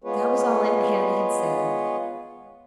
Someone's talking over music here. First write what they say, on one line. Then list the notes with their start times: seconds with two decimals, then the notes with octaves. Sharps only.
That was all Aunt Hannah had said.
0.04 G#3 B3 F4 G#4 B4 C#5